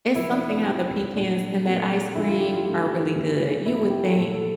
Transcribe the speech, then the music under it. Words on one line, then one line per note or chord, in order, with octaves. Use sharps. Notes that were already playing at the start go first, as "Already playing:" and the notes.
It's something how the pecans in that ice cream are really good. You would think
F2 C3 F3 E4
D4
D4
F2 C3 F3 C4
A#2 A3 D4
A#2 A3 C4
G2 D3 F3 A3 E4
F4
G4
F4
G2 D3 F3 A3 G4
G2 E3 A#3
G2 E3 A#3 E4
E4
G4
A4
A#2 F3 A3 A4
A4